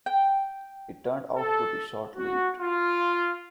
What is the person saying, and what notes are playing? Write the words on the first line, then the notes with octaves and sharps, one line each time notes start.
It turned out to be short-lived.
G5
A4
F#4
F4